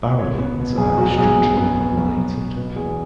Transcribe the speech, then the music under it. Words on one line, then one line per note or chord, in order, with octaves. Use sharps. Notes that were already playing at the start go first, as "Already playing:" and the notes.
Barrelenes are structurally related.
B2 C#5
B3
B2
B1 G#4
B1 F#4
B1 G#4
B1
B3
B1
B1
B1
B2
B2 B4
E2 G#4